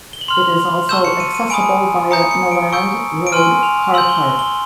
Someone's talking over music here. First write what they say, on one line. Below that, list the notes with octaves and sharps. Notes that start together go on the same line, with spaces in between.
It is also accessible via Milland road car park.
G7
F#7
C6 F6 F7
A5 C#6 E6 G6 E7
C#7
D#7
D#7
G#5 B5 D#6 D7
A#5 D#6 G6 C#7
C#7
D7
C#6 E6 G6 D7
D7
G#5 C6 F6 D#7
F7
C6 E6 G6 F#7
G7
G7
G7